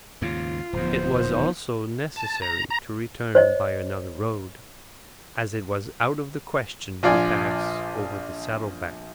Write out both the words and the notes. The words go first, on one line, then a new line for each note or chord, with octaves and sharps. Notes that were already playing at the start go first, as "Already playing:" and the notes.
It was also necessary to return by another road, as it was out of the question to pass over the saddle-back.
D#2 G#2 C#3 F4
D1 E2 F3 B3 D#4 C5
A5
A#5
A#5
C5 C#5 D#5
A#1 F4 D5 G#5